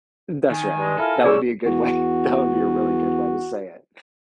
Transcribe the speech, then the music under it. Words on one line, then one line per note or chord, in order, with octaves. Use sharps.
That's right. That would be a good way. That would be a really good way to say it,
D#3 G#5
G2 G#3
E4 F4 A4 A#4
C3 G3 C#4 G#4 D5 C#6 E6
E2 F#4